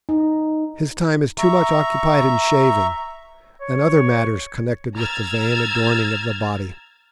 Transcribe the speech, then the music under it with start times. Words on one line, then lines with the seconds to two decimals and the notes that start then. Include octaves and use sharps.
His time is too much occupied in shaving, and other matters connected with the vain adorning of the body.
0.09 D#4
1.38 E5 A#5 C#6
3.62 C#5
4.97 A#5 E6 F6 G#6 A6